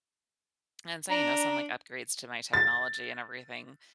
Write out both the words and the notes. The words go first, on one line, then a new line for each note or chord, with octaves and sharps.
And, so, you know, some, like, upgrades to my technology and everything,
D4 A#5
A6